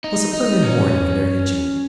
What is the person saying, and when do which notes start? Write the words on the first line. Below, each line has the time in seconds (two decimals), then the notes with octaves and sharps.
It was a pleasant morning in early June.
0.04 D#4
0.33 D#4
0.63 C#4